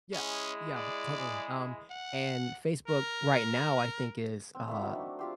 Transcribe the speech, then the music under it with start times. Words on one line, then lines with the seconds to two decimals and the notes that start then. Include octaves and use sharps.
Yeah, yeah, totally, um, and Facebook right now I think is, uh
0.13 G#3 C#4 E4 G#4
0.75 D5
1.90 F#5
2.87 A#4
4.55 C4
4.68 A3 A#3 D4 E4
4.82 F#3 D#4
4.95 D4
5.19 F4 G4 C5